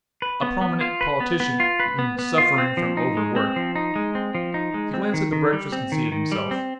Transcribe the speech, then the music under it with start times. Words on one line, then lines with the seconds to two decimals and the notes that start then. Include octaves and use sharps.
"A prominent politician--ahem!--suffering from overwork." He glanced at the breakfast and seated himself.
0.22 B4
0.42 B3
0.61 B3
0.81 F4
1.01 B4
1.20 B3
1.40 B3
1.60 F4
1.80 B4
1.99 B3
2.19 B3
2.38 F4
2.58 C4
2.77 F3
2.97 D#4
3.17 G#3
3.36 C4
3.56 F3
3.76 D#4
3.96 G#3
4.15 C4
4.35 F3
4.54 D#4
4.74 G#3
4.94 C4
5.14 D#3
5.32 D#3
5.53 G3
5.72 C4
5.92 D#3
6.12 D#3
6.32 G3
6.51 C4